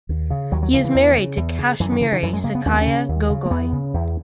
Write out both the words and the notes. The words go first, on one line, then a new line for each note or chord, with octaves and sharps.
He is married to Kashmiri Saikia Gogoi.
D#2
C#3
D#2 F#3
F#3
C#3 E3
E3
E2
C#3
E2
C#3
F#2 E3
D#3
C#3 E3
D#3
F#2 E3
G#3
C#3 A#3
B3
D#2 C#4
B3
C#4
C#3
D#2
C#3
A#3
E2 B3
C#3
E2